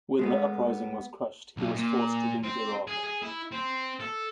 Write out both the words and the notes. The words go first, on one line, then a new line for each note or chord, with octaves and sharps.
When the uprising was crushed he was forced to leave Iraq.
G#3 A3 B3
B1
A#2
C4
G#4
G#4
E4
C4
A4